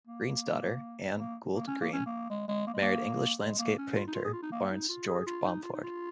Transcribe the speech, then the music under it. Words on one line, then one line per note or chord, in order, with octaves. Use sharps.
Green's daughter, Anne Goold Green, married English landscape painter Laurence George Bomford.
A#3
A#3
A#3
C#4
A#3
C#4
A#3
G#3
G#3
A#3
G#3
A#3
G#3
A#3
C#4
F4
D#4
F4
G#4
F4
D#4
A#3
D#4
F4
G#4
F4
D#4
F4
D#4
F4